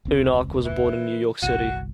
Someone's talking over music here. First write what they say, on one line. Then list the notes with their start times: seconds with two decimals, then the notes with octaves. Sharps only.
Uhnak was born in New York City.
0.05 E1 C#2 C4
0.64 E3
1.42 G1 C2 F#4